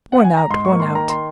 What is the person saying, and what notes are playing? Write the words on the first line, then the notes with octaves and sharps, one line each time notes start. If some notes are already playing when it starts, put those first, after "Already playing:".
"Worn out! worn out!"
F#5
G#5
A#5
G#2 C6
C#6
A#3
C6
D#3 A#5
C6